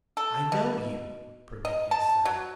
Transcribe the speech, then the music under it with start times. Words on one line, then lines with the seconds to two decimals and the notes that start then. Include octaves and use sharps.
"I know you," Prometheus said.
0.17 A4
0.52 B2
1.65 D#5
1.91 A5
2.25 F#3